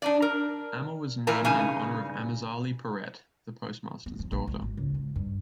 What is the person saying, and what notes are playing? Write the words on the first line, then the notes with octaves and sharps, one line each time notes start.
Ama was named in honor of Amazalie Perret, the postmaster's daughter.
D4 D#4 D5
A#4
A#2 E3 A#4 A#5
G2 C#3 D#4 G#5
B3
F3
A#1
G#3
G#1
C#2
G#2
G2